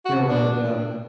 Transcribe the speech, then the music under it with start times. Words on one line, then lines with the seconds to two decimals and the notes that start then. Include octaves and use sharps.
they wanna yeah.
0.05 F#4
0.29 D4